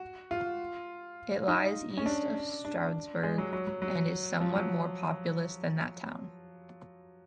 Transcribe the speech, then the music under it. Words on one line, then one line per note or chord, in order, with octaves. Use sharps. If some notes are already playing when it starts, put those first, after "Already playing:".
It lies east of Stroudsburg and is somewhat more populous than that town.
Already playing: F#4
F4
D#4
C#4
D4
D4
G#3
F#3
F#3
F#3
F#3
F3
F#3